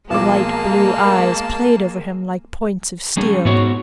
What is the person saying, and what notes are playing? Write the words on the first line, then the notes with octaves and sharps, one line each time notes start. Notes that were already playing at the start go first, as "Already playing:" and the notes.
The light-blue eyes played over him like points of steel.
B1 F3 G#3 A#3 A5 D6
G3 C#4 G#4
G#2 B3 F#4 C#5